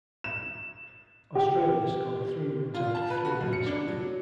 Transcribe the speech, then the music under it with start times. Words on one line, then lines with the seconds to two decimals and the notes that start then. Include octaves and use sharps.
Australia scored three wins out of three in this group.
0.24 E7
1.35 G4
2.74 F4
2.95 A5
3.10 B4
3.25 F#4
3.41 F#2
3.53 C#7
3.66 D4
3.88 F#3